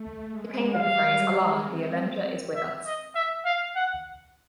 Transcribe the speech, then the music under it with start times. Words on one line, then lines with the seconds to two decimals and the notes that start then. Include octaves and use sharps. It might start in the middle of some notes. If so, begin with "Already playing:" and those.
They painted the phrase Allah the Avenger is with us!
Already playing: A3
0.30 G#3
0.75 G3 F5
1.20 G#3
1.65 C4
2.56 E5
2.86 D#5
3.16 E5
3.46 F5
3.76 F#5